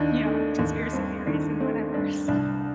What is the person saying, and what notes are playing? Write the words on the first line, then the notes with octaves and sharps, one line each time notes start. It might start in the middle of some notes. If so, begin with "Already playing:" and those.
you know, conspiracy theories and whatever, so
Already playing: D#2 D#3 D4 D#4
A3
D#2
G2 C4
D#3 D4
A3 C4
G2 D4
C2 D4